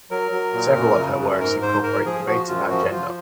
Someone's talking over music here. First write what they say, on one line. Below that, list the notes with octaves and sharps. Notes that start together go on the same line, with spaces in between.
Several of her works incorporate debates about gender.
F#3 A#4
F#3
A#2
F#2
C#3
F#2
G#2 A#4
G#2 C5
G#2 A#4
F3 G#4
F3 F#4
F#2 F4
F3 F#4
F3 F4